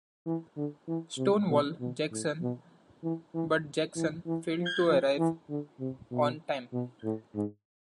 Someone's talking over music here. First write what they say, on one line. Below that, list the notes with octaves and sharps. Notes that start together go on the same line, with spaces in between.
"Stonewall" Jackson, but Jackson failed to arrive on time.
E3
D3
E3
C3
B2
B2
A2
B2
E3
E3
E3
E3
F3
F3
E3
D3
C3
B2
B2
A2
G#2